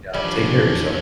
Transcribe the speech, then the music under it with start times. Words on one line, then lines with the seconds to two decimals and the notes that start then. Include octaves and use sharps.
You know, take care of yourself.
0.14 D#3 F3 G3 C#4 D4 B4